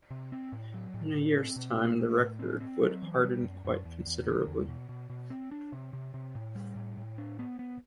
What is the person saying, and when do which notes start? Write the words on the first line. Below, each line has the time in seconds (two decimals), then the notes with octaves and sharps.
In a year's time, the record would harden quite considerably.
0.11 C3
0.32 C4
0.52 A2
0.74 F#3
0.94 A2
1.15 A2
1.36 C4
1.56 B2
1.77 A3
1.98 A3
2.19 A2
2.39 C4
2.60 C4
2.82 F#3
3.02 E3
3.22 G3
3.43 F#2
3.65 F#2
3.85 E2
4.07 E2
4.27 D3
4.48 E2
4.69 B2
4.89 B2
5.10 B2
5.30 C4
5.51 D4
5.72 C3
5.93 C3
6.14 C3
6.35 A2
6.55 G3
6.76 A2
6.98 A2
7.18 D4
7.39 B3
7.59 B3